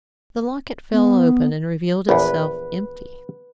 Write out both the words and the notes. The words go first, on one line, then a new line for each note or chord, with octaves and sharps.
The locket fell open and revealed itself--empty.
B3
A#1 E2 B4